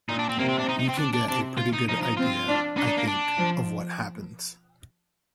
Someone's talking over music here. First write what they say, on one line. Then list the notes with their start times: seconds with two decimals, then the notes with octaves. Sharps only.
You can get a pretty good idea, I think, of what happens.
0.09 A#2 D#4
0.19 D4
0.29 C4
0.38 C3 A#3
0.48 C4
0.59 D4
0.69 D#4
0.79 D#4
0.89 C4
0.98 D4
1.13 D4
1.28 C3 D4
1.58 F4
1.73 D#4
1.89 F3 D#4
2.02 D#4
2.17 C4 F4
2.47 D4
2.77 D4 D#4
2.88 D#4
2.97 A#3
3.07 D4
3.37 F3